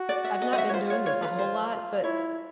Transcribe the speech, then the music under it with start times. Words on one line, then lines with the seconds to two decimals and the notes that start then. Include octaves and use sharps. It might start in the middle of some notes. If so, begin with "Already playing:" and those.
I've not been doing this a whole lot, but
Already playing: F#4
0.09 D5
0.24 E5
0.42 D#5
0.53 D#5
0.58 E5
0.69 C#5
0.74 F4 C5
0.90 C#5
1.06 C#5
1.22 B4
1.39 C5
2.04 E4 C#5